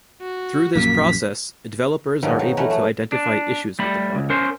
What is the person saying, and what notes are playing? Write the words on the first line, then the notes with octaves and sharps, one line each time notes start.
Through this process, developers are able to identify issues with the product.
F#4
A#1 F#2 A#3 B6
G#2 B2 D#3 F3 F#3
F#3 D#4
E3 A3 C#4 D#4 F#4
F#3 A3
D4
G3 A3 B5
C#2
C#4 A#4 C5 C6